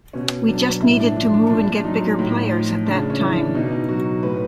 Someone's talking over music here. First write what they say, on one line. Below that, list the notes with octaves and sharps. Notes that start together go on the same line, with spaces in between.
We just needed to move and get bigger players at that time.
B2 C#4
F#3 D4
A2 E4
D4
F3 D4
D4
A#2 D4
F#3 D#4
A2
F3
C#3 D4
C#4
E3
D4
B2 D#4
F#3 F#4
A2 B4